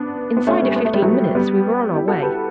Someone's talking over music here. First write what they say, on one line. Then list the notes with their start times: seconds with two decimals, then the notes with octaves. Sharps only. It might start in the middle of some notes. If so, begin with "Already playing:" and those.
Inside of fifteen minutes we were on our way.
Already playing: B3 D4
0.37 B3
0.47 A3 C#4
0.62 G3 B3
0.76 B3
0.85 A3
0.94 G3
1.02 F#3 A3
1.35 G3 B3
1.93 E4 G4
2.08 F#4 A4
2.23 G4 B4